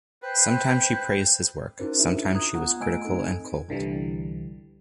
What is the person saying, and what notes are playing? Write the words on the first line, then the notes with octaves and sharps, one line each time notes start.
Sometimes she praised his work; sometimes she was critical and cold.
B4 C5 G5
C#4 D#4 E4 F#4 A#4 C5
D4 F4 G#4 E5
A#5 D#6 F#6 G#6
B3 F4 F#5 A#5
A3 D#5 G#5 E6 G#6 D7
C4 D#4 A4
C2 D3 E3 G3